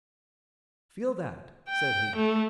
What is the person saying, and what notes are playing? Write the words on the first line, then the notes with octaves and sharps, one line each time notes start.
"Feel that!" said he.
G5
A3